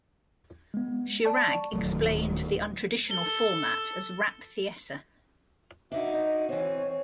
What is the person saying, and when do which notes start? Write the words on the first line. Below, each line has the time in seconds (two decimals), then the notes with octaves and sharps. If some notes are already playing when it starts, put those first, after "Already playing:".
Chirag explained the untraditional format as "rap theatre".
0.74 G#3 B3
1.25 D5 A5 C#6
1.73 D1 D#3 F#3 A3
3.11 A4 G7
5.92 D4 D#4 F#4 E5
6.13 D#5
6.49 E3 C4 C#5